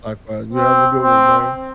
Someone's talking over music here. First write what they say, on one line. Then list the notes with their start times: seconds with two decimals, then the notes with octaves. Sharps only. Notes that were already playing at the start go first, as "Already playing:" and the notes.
Likewise, you have a good one, ma'am.
0.53 C4
1.02 C4